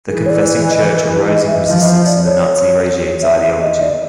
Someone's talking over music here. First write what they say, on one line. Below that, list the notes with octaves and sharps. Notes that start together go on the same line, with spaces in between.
The Confessing Church arose in resistance to the Nazi regime's ideology.
E3 G#4
C#5
D5
D#5
B4
B4
D#5
E5
F3 D#5
D5
C#5
E5
E5
D#5
D5